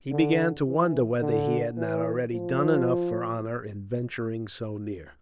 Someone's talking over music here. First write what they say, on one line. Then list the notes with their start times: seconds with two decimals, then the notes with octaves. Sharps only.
He began to wonder whether he had not already done enough for honour in venturing so near.
0.11 D3
0.67 E3
1.22 D3
1.77 E3
2.33 F3